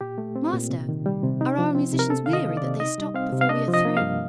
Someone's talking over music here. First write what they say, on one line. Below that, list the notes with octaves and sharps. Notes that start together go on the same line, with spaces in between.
"Master, are our musicians weary that they stop before we are through?"
A#2 G4
A3
C4
A#2
C3
D#3
G3
C3
D#4
F3
C4
C3
A#4
D4 A4
D#3 F5
D#5
A#3
C3 D5
D#4 D#5
G3
C4 F5
C3
F5
D4 D#5
F3
D#5
A#3
G2 F5